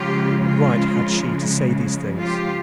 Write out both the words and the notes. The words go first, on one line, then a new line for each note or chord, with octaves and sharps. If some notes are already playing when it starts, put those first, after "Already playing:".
What right had she to say these things?
Already playing: C#3 F3 G#3 F4 G4
F4
F4 G4